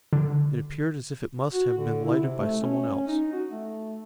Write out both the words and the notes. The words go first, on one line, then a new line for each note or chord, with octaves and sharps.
It appeared as if it must have been lighted by some one else.
D3
F#4
D3
E4
C3
A3
C#4
D#4
F#4
A3